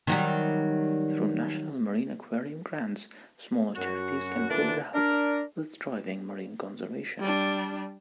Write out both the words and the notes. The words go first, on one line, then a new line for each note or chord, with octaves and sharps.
Through National Marine Aquarium grants smaller charities can further help with driving marine conservation.
D#3 F#3 G3
F#2 F#4
A#2 D3 E3 D4
D4 A#4
G3 D4